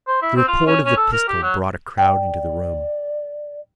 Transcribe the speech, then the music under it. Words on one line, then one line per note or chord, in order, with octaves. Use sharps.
The report of the pistol brought a crowd into the room.
C5
E4
C4
F4
C#4
C#4
A4
A#4
G4
F#3
D5 G5